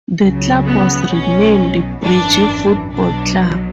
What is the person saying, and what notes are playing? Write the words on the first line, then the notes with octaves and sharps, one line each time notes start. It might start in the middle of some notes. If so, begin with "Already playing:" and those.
The club was renamed "Bridge Football Club".
C#2 C#3 F#3
B3
B1 B2 F#3 C#4
G#1 F#2 E3 D4
B1 B2 F#3 D4